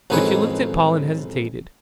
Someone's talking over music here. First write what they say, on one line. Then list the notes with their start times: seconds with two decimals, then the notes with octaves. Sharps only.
But she looked at Paul and hesitated.
0.10 A1 F2 D#3 G#3 B4 C#5